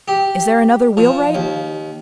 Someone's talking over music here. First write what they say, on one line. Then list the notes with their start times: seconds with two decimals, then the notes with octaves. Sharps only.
"Is there another wheelwright?"
0.08 G4
0.97 F3
1.35 D#2